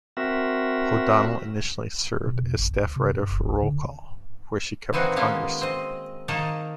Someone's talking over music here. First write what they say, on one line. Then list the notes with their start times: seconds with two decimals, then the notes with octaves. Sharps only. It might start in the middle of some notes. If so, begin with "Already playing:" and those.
O'Donnell initially served as staff writer for "Roll Call", where she covered Congress.
0.17 C4 F#4 A#4 E5
2.26 B2
2.43 F2
2.58 G1
2.70 D2
2.96 C3
3.13 F#2
3.31 F1
3.48 C#2
3.62 D3
4.93 A#2 E3 C4 D#4 F#4
5.16 D#3 G#3 A#3 B3 C#4 D#4
5.61 C4 D#5
6.28 D#3 A#3 D#4 D#5 A5